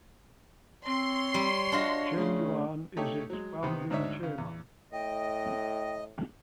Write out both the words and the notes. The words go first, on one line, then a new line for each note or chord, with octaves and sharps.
Chen Yuan is its founding chairman.
C4 C#5 C6
G3
D4 F4 F#4 D#5
C#3 A3
A3 D#4 G4 A4 C#5
F#3 G#3
C3 D#3 B3
D2 G#2 D4 D#4 C#5 E5
C#3
E2
A2 D#5 G5